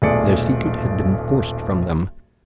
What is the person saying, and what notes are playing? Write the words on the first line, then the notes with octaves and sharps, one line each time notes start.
Their secret had been forced from them.
D#1 B1 A3 G#4 D5 C#7